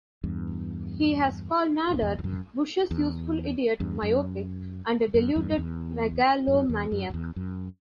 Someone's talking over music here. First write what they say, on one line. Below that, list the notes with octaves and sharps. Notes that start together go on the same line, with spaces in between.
He has called Nader "Bush's Useful Idiot," myopic, and a deluded megalomaniac.
E2 G2
E2
E2
F#2
E2
E2 G2
F#2
F#2
E2 G2
F#2
E2
F#2
E2
F#2
F#2
E2
F#2